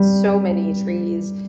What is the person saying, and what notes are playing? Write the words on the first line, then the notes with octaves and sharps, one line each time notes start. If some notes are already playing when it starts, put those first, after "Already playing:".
so many trees,
Already playing: G3